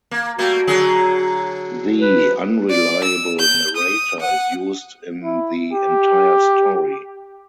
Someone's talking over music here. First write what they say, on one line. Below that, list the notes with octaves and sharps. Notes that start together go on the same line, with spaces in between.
The unreliable narrator is used in the entire story.
A#3
G3 A3 A#3 F#4
D3 F#3 G#4
B4
D5
E6
G6
D#6
F#5
E4
G4